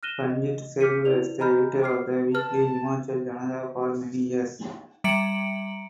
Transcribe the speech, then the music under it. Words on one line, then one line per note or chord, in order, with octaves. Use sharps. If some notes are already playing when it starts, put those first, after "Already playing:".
Pandit served as the editor of the weekly "Himachal Janata" for many years.
F6 F#6 A#6 D#7 E7 G7
D#5
D6 F6 G6 B6 C#7 D#7
E4 B4 D5 F7
D#5 G#5 A#5 B5 F6 G6
D6 F6 C7
B4 A5 F6
G3 E5 A#5 C#7 D7 F#7